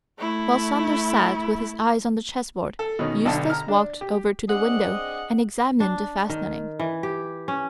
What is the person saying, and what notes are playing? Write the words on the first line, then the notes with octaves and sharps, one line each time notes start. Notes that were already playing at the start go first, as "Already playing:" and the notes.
While Saunders sat with his eyes on the chessboard, Eustace walked over to the window and examined the fastenings.
A3 E4
A4
B2 D#3 C#4
B1 D3 D#5 A5
A#5 F6
D4
G4
C4 D4 G#4 D#5 F#5
D4
D#3
E3
G4
C#4